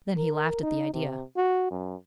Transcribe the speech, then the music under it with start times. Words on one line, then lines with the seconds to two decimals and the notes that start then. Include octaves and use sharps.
Then he laughed at the idea.
0.17 A#4
0.63 D#4
0.94 C3
1.36 F#4
1.71 F#2